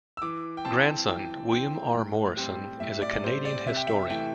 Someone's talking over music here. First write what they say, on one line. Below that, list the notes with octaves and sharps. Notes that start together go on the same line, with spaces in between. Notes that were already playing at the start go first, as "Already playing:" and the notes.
His grandson, William R. Morrison, is a Canadian historian.
E6
E3 D6
G5
C4 A5
E3 G5
C4 G5
A2
G3 C4
A2 E5
D5
G3 C4 C5
D5
C3 E5
G5
E5
E3 A3 G5